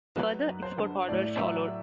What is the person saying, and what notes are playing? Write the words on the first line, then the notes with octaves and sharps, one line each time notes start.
Further export orders followed.
F#3 B4
F#2
C5
D3
A2 D5
F#3 E5